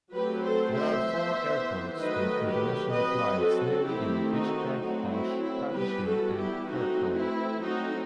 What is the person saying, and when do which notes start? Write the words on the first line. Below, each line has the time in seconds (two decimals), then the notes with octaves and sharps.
There are four airports with international flights, namely in Bishkek, Osh, Tamchy and Karakol.
0.13 F#3 A3 C4 G4 B4
0.44 A4 C5
0.76 C5 E5
1.07 E3 B3
2.00 D#3 F#3 A3 B4 D#5
2.47 G4 B4
2.94 F#3 C4 B4 D#5
3.40 F#4 A4
3.87 D#3 A3 C4 E4 G4
4.34 D#4 F#4
4.81 F#3 A3 C4 D#4 F#4
5.12 E4
5.44 E4
5.74 E3 G3 B3 G4 B4
6.06 F#4 A4
6.37 E4 G4
6.69 E3 A3 C4 D#4 F#4
7.16 E4
7.62 F#3 A3 C4 D#4 F#4